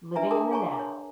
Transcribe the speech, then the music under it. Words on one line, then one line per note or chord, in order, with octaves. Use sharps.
Living in the now.
D4 B4 E5 G#5 A#5
D4 A#4 A5 D6 D#6
G#4 C#5 G#5 A#5 C#6
C#5